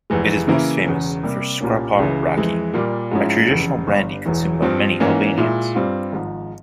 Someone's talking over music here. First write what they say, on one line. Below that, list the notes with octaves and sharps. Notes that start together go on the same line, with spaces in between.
It is most famous for Skrapar Raki, a traditional brandy consumed by many Albanians.
F1 E2 E3 G#3
C#3 E3 A#3 E4 A#4
E1 E2 C#3
C3 G3 A#3
C2 A#2 G3 A#3 C#4
C#2 C#3 E3
F2 E3 G#3
A#2 G3 A#3
G#2 F3 G#3 C#4 E4
F1 E2 C#3
G1 G2 G3
E1 E2 E3
G2 F3 C4
G#2 E3 A#3 C#4
A#2 G#3 E4
G2 G3 C4 F4
G#1 G#2 F3